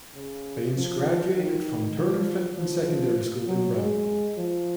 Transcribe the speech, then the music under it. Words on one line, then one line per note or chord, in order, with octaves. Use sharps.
Bains graduated from Turner Fenton Secondary School in Brampton.
C#3
F3
D#3
F3
F3
F#3
G#3
F3